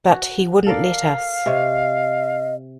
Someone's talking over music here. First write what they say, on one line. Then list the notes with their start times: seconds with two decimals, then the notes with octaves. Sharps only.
But he wouldn't let us.
0.10 F#4
0.67 A4 A#4 D5 F5
1.46 C3 C#5 D#5